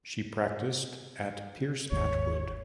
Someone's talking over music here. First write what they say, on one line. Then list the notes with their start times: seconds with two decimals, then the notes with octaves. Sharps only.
She practiced at Pierce Atwood.
1.92 G1 D#2 G#2 C#5